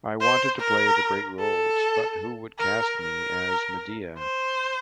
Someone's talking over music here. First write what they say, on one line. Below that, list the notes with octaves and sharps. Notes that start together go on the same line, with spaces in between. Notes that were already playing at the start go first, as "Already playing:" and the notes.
I wanted to play the great roles but who would cast me as Medea?
C5
A#4
A4
A#4
A#4
C5